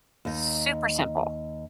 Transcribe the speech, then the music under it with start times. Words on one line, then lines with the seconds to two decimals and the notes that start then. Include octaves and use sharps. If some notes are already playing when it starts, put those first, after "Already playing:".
super simple.
0.25 D#2 D#4